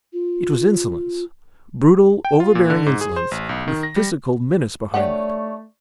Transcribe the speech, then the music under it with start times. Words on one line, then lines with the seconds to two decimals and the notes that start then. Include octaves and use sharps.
It was insolence--brutal, overbearing insolence, with physical menace behind it.
0.13 F4
2.25 G5
2.40 F4
2.55 A#2
2.70 D3
2.86 G#2
3.01 G#4
3.16 C5
3.31 A1
3.49 B1
3.68 D#3
3.83 A#6
3.96 G3
4.94 A3 D4 D#4 G4 C#5 D5 F#5